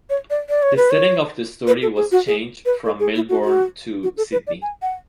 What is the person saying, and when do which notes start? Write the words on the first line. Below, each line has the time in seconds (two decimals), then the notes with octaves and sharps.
The setting of the story was changed from Melbourne to Sydney.
0.10 C#5
0.30 D5
0.49 D5
0.63 C#5
0.77 B4
0.91 C#5
1.67 B4
1.82 A4
1.96 G#4
2.12 F#4
2.27 G#4
2.65 B4
2.85 A4
2.99 G#4
3.15 E4
3.29 F#4
3.44 F#4
4.03 F#4
4.17 A4
4.32 B4
4.47 D5
4.62 G#5
4.82 F#5